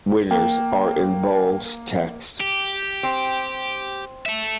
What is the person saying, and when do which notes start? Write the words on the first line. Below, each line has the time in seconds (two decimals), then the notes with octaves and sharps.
Winners are in bold text.
0.31 A#3 G5
2.41 G4
3.03 C4
4.26 A4 E5